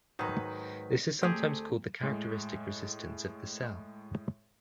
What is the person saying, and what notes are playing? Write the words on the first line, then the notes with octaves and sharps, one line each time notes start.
This is sometimes called the 'characteristic resistance' of the cell.
G#2 D#3 F#3 D#4 B4
D2 A3 C4 G4 G#4
A2 G#3